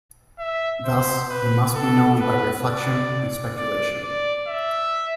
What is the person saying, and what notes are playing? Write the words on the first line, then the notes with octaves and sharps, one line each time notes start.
Thus, He must be known by reflection and speculation.
E5
C5
B4
A4
B4
D5
D5
D5
E5